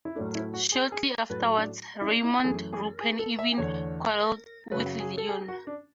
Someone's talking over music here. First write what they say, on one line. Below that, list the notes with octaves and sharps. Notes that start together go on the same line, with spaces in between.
Shortly afterwards, Raymond-Roupen even quarreled with Leon.
E4
A2 F#3 A3 D4
E4
F#4
G#4
G#4
A2 F#3 A3 B4
D4
E4
D4
E4
F#2 E3 A3 G#4
G#4
G#4
A4
E5
E2 D3 A3 C#5
F#2 C#3 F#3 B4
G#4
A4
G#4
F#4
D4